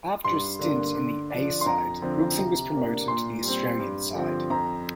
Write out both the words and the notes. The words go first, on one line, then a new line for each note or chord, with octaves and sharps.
After a stint in the 'A' side, Wilson was promoted to the Australian side.
G2 C6
D3 A#3 D4
D3
F3 D4
C6
F2 A#5
D3 F3 C4
C3
A#3 D4
A#2 C6
G3 C4
G2
D3 F3 C4
F2 A#5